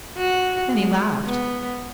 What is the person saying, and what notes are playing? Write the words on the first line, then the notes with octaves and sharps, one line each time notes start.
Then he laughed.
F#4
G#3
B3